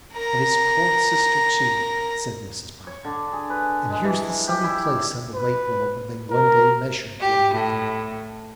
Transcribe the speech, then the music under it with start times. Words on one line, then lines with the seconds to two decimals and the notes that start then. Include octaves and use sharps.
And his poor sister too,' said Mrs Boffin. 'And here's the sunny place on the white wall where they one day measured one another.
0.13 A#4 A#5
2.87 C#5
3.05 D3
3.32 G#4
3.50 B4
3.90 G#3
4.05 E3
4.47 G4
4.64 E4
5.35 B4
6.30 A#4
7.20 G4
7.55 A2